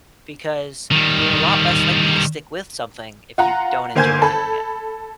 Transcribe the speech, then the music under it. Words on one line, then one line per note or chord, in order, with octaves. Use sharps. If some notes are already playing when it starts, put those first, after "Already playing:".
Because you're a lot less likely to stick with something if you don't enjoy doing it.
D#3 G3
F4 F#5 A#5
G1 A#3 C5 G#5 G6 G#6
A4 B5